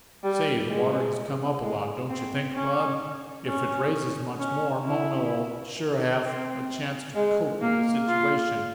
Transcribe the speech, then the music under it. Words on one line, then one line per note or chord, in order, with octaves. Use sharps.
Say, the water has come up a lot, don't yuh think, Bud? If it raises much more Mona'll sure have a chance to 'cope with the situation.
G3
G#3
G#3
C4
C#4
C#4
C#4
E4
C4
G#3
A#3
F4